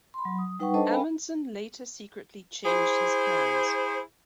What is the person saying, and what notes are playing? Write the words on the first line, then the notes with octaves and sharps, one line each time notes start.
Amundsen later secretly changed his plans.
B5 C6
F#3
D#6
G3 D#4 B4 F#5 G5 C#6
D4 A4 B4 C5 D#5 A5
A#4 F5 G5 G#5 B5
E4 G#4 C5